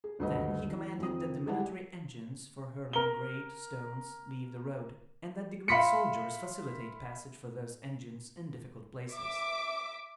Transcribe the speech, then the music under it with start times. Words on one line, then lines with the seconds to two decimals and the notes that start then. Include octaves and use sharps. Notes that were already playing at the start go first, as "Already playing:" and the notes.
Then he commanded that the military engines for hurling great stones leave the road, and that the Greek soldiers facilitate passage for those engines in difficult places.
0.04 G#4
0.19 D#1 D2 G2 F#4 B4 D#5
0.71 E3
0.99 F2 D#3 C4 D#6
1.46 G#3 E4 G4 G#4 D5 F#5
2.93 A#4 G7
5.68 E5 F5 B5 C6 B6 C#7
9.12 E5 D6